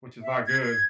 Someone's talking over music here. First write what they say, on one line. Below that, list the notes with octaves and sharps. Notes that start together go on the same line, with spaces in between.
which is not good,
E5
G#6
G#6